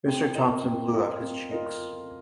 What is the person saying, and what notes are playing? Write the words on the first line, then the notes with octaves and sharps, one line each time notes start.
Mr. Thompson blew out his cheeks.
C4
F4 A#4 D#5
C4
F4 A#4 D#5
C4
F4 A#4 D#5